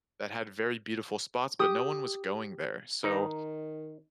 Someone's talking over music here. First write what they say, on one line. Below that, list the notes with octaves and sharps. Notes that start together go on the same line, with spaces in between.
that had very beautiful spots, but no one was going there, so
G4 D#6
D#3 D#4